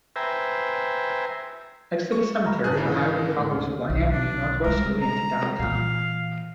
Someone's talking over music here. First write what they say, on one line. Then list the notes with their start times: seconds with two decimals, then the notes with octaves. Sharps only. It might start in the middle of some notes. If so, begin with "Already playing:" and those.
Next to the cemetery, the highway follows Boyne Avenue northwesterly into downtown.
0.16 B4 C5 E5 G5 G#5 A#5
2.12 C#6
2.44 A#5 B5 F6
2.64 G#1 G#4 A5
2.77 C#3 E3
3.37 A2 G#3
3.52 D#2 C#4 F6
3.90 B1
4.11 D4
4.64 G3 G#3 A#4
5.02 A#5
5.59 A#2 E3 F5